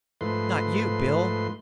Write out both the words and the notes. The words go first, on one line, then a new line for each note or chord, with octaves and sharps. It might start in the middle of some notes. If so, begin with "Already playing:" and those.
Not you, Bill!
G#2 F3 A3 B4 C6